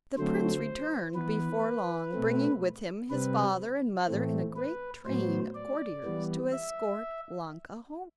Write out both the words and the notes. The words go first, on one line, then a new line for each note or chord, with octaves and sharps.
The prince returned before long, bringing with him his father and mother and a great train of courtiers to escort Ilonka home.
D3 F#3 A3 C4 C5
E3 B3 B4
B2 A3 C4
C3 G3 C4 B4
A2 E3 A3 C4
B4
A2 F#3 B3 C5
D5
E3 G3 B3
E5